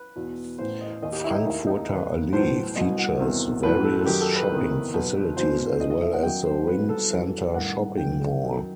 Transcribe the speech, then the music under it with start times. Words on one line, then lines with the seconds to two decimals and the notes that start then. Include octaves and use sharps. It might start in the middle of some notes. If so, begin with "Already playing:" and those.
Frankfurter Allee features various shopping facilities as well as the Ring-Center shopping mall.
Already playing: B4
0.16 E2 B2
0.58 A1 A2 E3 C5
0.81 D#5
1.02 D#2 D#3 D#5
1.12 G4
1.24 E4
1.34 D#4
1.45 D#2 D#3 E4
1.67 D#4
1.88 D#2 D#3 B4
2.32 B1 A2 E3 C5
2.75 C2 B2 D#5
2.98 F#4
3.19 E2 C3 D#3
3.63 B1 A2 E3 B4
3.84 A4
4.06 F#2 D#3 G4
4.21 A4
4.35 B4
4.50 E2 C3 D#3
4.94 B1 B2
5.36 E2 B2 C5
5.80 E2 B2 D#5
5.90 D#5
6.01 E5
6.13 F#5
6.23 F#2 D#3 G5
6.45 C5
6.66 C2 B2 B4
6.89 A4
7.10 F#2 E3
7.54 A1 G2 D#3 F#5
7.97 F#2 E3 G5
8.41 F#2 D#3